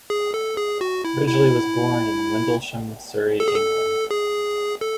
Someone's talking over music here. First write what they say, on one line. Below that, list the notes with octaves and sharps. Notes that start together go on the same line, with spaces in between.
Ridgeley was born in Windlesham, Surrey, England.
G#4
A4
G#4
F#4
E4
E4
A4
G#4
A4
G#4
A4